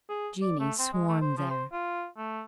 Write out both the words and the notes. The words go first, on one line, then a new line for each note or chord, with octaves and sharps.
Genii swarm there.
G#4
D5
A3
C4
G#3
A3
C5
F3
C5
F4
A3